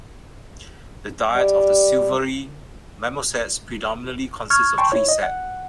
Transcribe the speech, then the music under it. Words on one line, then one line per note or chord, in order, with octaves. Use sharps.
The diet of the silvery marmosets predominantly consists of tree sap.
G3
C#6 F6 G#6
G5 A5 C6 C#6
E4 C#5
D#5
F#5